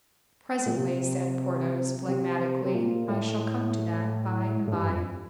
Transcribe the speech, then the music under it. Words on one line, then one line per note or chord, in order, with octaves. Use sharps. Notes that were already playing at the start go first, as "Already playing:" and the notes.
"Presently," said Porthos, phlegmatically; "I shall come to that by and by."
A#2
C3
C3
C3
A#2
A2
A2
G2
F2